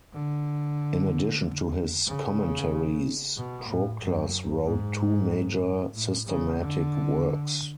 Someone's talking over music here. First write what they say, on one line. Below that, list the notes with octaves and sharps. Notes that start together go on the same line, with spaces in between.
In addition to his commentaries, Proclus wrote two major systematic works.
D3
C#3
B2
A2
F#2
G#2
A2
C#3
D3